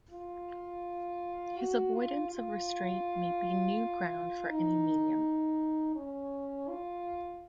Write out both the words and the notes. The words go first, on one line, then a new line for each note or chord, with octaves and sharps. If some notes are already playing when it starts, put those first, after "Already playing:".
His avoidance of restraint may be new ground for any medium.
F4
F#4
F4
F4
D#4
C#4
F4